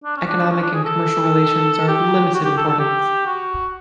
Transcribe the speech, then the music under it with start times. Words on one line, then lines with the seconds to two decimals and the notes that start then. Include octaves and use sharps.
Economic and commercial relations are of limited importance.
0.04 D4
0.16 C#4
0.28 D4
0.50 C#4
0.62 D4
0.73 G#4
0.85 A4
1.88 G4
2.34 F#4
2.45 G4
2.57 A4
2.68 A4
2.79 G4
3.26 F#4